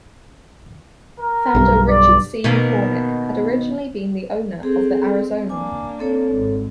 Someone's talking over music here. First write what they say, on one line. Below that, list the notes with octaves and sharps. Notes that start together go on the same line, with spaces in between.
Founder Richard C. McCormick had originally been the owner of the "Arizonan".
A#4
B1 G2
D5
B2 D#3 A#3
C4 G#4 A4
A#3 D4 G#5 D6
C4 A4 C#5
G#1